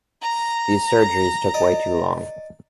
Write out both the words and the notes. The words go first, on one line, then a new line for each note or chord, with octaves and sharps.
These surgeries took way too long.
A#5 A#6
D5 D#5